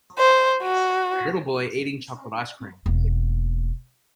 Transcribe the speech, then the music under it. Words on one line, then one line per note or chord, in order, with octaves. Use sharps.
Little boy eating chocolate ice cream.
C5
F#4
E1 A#3